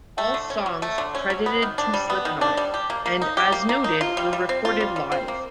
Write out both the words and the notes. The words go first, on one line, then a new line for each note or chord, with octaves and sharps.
All songs credited to Slipknot and, as noted, were recorded live.
A3
D3
C#4
F#3
A3
D3
C#4
F#3
B3
D#3
D4
G3
B3
D#3
D4
G3
G4
A#3
A#3
D#4
G4
A#3
A#3
D#4
F4
G3
G3
C4
F4
G3
G3
C4
A#3